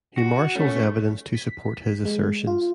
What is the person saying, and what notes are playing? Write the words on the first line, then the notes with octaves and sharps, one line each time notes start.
He marshals evidence to support his assertions.
F#4
A3 C#4
B6
G#3
F4